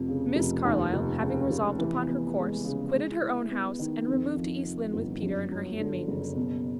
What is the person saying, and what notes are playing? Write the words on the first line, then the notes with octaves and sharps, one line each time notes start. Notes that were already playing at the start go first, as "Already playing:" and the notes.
Miss Carlyle, having resolved upon her course, quitted her own house, and removed to East Lynne with Peter and her handmaidens.
Already playing: F1 F2
C#3
F1
D#2
F1
C#3
F1
E3
B3
G#3
C#3
G#3
E4
B3
D#3
F2
F3
C3
G1
F#2
F#3
D3
F#1
B2